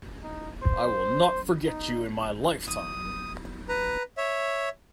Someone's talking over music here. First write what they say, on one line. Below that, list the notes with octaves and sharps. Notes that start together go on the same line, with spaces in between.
I will not forget you in my lifetime!
D#4
C5
D#4
D#6
B4 A#5
C#5 E5